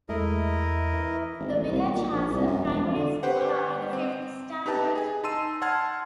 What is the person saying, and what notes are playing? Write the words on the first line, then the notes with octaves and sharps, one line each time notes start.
The village has a primary school up to the fifth standard.
E2 G#3 A3 E4 A#4 D#5
E3
G#1
A1
C2
B1
A#2
A#1
C2
F#2
E1
F2
D3
G4 B4 C5 F#5
C4
D#4 G4 B4 A5
G#4 G#5
D#4 A5 C6 E6 D#7
F#5 A5 C6 F6 G#6